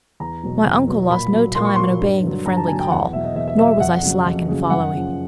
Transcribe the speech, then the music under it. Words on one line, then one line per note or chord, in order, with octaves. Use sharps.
My uncle lost no time in obeying the friendly call, nor was I slack in following.
E2 A#5
B2 F#3
E2
B2 F#3
A#2 B5
F#3
A#2 C6
C#6
F#3 C6
G2
D3 F#3
G2 A#5
A5
D3 F#3 G#5
G5
E2 F#5
B2 F#3 E5
D#5
E2 E5
E5
B2 F#3 E5
E5
F2 F#5
C#3 F#3
F2
C#3 F#3
F#2 F#5
C#3 F3